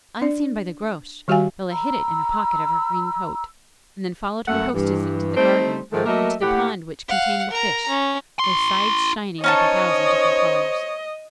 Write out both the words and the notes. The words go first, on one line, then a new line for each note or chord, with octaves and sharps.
Unseen by the Groac'h, Bellah hid it in a pocket of her green coat, and then followed her hostess into the garden, and to the pond which contained the fish, their sides shining with a thousand different colours.
D4 D5
D#3 G3 F#4 G4 F5 G#5
A#5 B5 E6
F#2 A3 F#5
G2 E3
G3 A3 C4 D#4 C5
G#2 D#3 F3 G#3 A3
F#3 A3 A#3 A#4 D#5 E5
A2 G4 F#5
F5 F#5
A#4 A#5
C#4
E4 C6
C#4 D#4 C5 C#5 D#5 A5